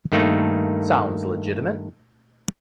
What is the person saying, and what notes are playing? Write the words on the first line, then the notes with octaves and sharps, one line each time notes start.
Sounds legitimate.
G2 D#3 A3 A#3 D#4